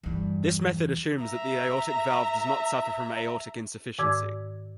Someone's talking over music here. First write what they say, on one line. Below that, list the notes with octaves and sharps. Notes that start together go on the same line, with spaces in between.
This method assumes that the aortic valve does not suffer from aortic insufficiency.
E2 G2 E3
E5 A#5
G#2 D#3 D6 E6 G#6